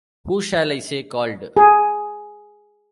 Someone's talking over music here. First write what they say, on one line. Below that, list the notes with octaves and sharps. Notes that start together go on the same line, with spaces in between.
Who shall I say called?
G#4